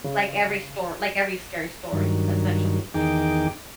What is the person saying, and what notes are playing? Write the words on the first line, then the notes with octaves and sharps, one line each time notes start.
Like, every stor like, every scary story, essentially.
C#3
G2 D#3 F#3
E2 D#3 D#4 G#4 G5 D6